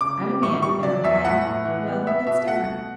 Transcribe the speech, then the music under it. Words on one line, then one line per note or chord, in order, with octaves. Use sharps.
I'm a man, you know, and--well, it's different.
C#3 D6
G3
A2 C#6
G3 C#6
F#3 D5
E2 E5
A2 F#5
A2
E3
B3
B3 E5
B2 E5
A3 F#5
B2